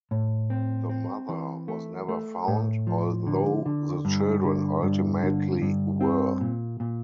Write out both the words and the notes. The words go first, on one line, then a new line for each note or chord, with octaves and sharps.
The mother was never found, although the children ultimately were.
A2
C4
C4
E3
A3
A3
A2
F3
D3
D3
G2
D3
G2
D3
G2
C4
A#2
A#2